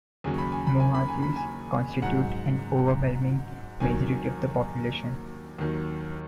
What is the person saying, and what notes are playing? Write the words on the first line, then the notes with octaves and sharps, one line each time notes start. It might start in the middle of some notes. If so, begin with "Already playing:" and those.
Muhajirs constitute an overwhelming majority of the population.
D#2 C#3 F#3 G#5
B5
G#5
B5
G#5
B5
G#5
B5
G#5
G#2 F#3 F#5
D#2 D#3 F#3 G#5
D#2 D#3 F#3